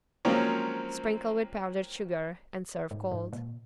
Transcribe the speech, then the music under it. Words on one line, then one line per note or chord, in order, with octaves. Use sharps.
Sprinkle with powdered sugar and serve cold.
F3 F#3 G#3 A#3 C4 C#4
G#2
G#2
A#2